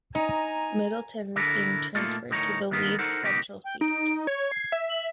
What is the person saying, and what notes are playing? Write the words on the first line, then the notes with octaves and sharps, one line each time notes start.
Middleton is being transferred to the Leeds Central seat.
D#4 G#5 A#5
D3 D4 E4 A4 A#4
A#2 A3 A#3 D#4 F4 A4
D2 A2 D#4 A#4 C#5 A#5
D#3 A#3 B3 G#4 A#4
D#4 A4 A#4 C5 F#5
C#2 B2 D#3 D#4 G4
G5
D#4 D7
C#5 G#6
C7
E5
F#7